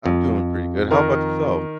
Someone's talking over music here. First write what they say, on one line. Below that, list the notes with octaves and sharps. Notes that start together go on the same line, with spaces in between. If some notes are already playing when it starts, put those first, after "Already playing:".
I'm doing pretty good, how about yourself?
F2
D#3 A#4